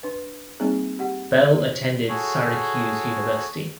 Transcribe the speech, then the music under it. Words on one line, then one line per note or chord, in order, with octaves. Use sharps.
Bell attended Syracuse University.
D4 B4
G3 A#3 C4 D#4 G#4
G4 F#5
F#4 G#4 A4 C#5